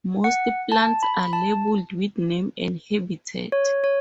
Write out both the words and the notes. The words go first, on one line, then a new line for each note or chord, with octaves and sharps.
Most plants are labeled with name and habitat.
F#5
A5
B5
A5
C#5
C#5